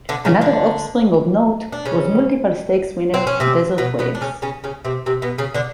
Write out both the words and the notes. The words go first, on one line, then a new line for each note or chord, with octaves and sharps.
Another offspring of note was multiple stakes-winner Desert Waves.
D3 D4
C#3 C#4
D3 D4
D4
C#3 C#4
C4
C#4
C3 C4
B2 B3
B2 B3
D4
C#3 C#4
C#3 C#4
C#3 C#4
C3 C4
C3 C4
B2 B3
C#3 C#4
D3 D4